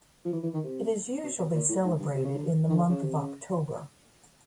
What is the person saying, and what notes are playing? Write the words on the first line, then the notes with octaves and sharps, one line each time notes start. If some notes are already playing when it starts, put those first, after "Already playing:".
It is usually celebrated in the month of October.
F3
E3
E3
D#3
C3
B2
B2
A#2
A2
G#2
G2
C3
C#3
D3
D#3
D3
C#3
C3
C#3